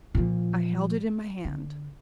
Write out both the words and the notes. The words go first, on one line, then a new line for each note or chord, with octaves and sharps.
I held it in my hand.
A#2 F3
D3